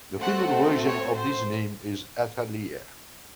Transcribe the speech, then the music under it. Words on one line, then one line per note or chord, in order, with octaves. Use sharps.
The female version of this name is Athaliah.
A3 C4 F#4 A4 F#5
C#5
C5